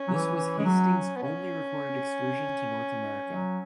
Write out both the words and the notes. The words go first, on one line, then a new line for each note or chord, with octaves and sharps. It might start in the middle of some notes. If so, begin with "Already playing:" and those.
This was Hastings’ only recorded excursion to North America.
Already playing: C#4
F#3
E3
E3
G#3
F#3
B3
C#4
F#3